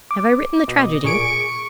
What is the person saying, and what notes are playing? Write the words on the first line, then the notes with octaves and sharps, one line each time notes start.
Have I written the tragedy?
D6
B2 D#5
A#2 G#4 C#6 D7